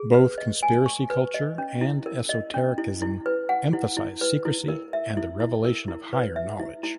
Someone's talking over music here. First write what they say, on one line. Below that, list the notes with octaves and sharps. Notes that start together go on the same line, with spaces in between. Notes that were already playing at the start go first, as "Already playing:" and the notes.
Both conspiracy culture and esotericism emphasize secrecy and the revelation of higher knowledge.
Already playing: G#4
B4
D#5
G#5
C#6
B4
D#5
C#4
E4
A#4
D#5
C#4
E4
E4
B4
F#5
E4
E4
B4
E4
A#4
E5
E4
E4
A#4
E4
B4
E5
E4
E4